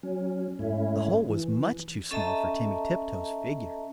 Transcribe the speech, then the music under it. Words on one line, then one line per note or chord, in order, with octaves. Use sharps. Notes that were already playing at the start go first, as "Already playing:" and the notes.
The hole was much too small for Timmy Tiptoes' figure.
F#3 C#4
G#2 A3 C#4 E4
E3
C#4 A4 D#5 E5 A5 A#5